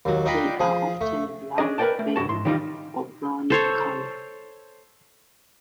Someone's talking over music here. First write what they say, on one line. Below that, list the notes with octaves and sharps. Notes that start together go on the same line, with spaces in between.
They are often black, bay or brown in color.
D#2 F#3
D4 D#4 F4 D5 G5 B5
F3 G#4
A3
C#4 D4 G#4 D#5
A#4 B4 C#5 D5 G5 A5
A3
C2 G2 A#3 F#4 A5
G#2 C6
D#3 E3 G3 D4 D#4 F4
A4 C5 C#5